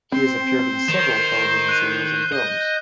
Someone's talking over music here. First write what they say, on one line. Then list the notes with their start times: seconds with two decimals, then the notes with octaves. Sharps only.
He has appeared in several television serials and films.
0.12 C4 C5
0.88 D#3 G6 E7
1.69 F#6 D#7
2.32 D#5